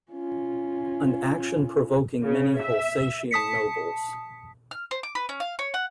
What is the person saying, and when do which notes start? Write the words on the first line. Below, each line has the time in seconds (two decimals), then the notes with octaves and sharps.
An action provoking many Holsatian nobles.
0.12 C#4 F4
2.23 C#3
2.61 E5
3.31 A5 D#6 B6 C#7
4.71 F6
4.91 C5
5.03 D6
5.15 B4
5.29 C#4
5.40 F5
5.59 C#5
5.74 F#5